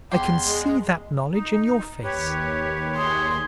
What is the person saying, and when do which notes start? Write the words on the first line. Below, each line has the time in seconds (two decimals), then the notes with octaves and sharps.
I can see that knowledge in your face.
0.12 E2 G4 C6
0.45 G#3
1.33 D#4
2.04 D#2 G4 B4 C#5
2.96 G#4 C6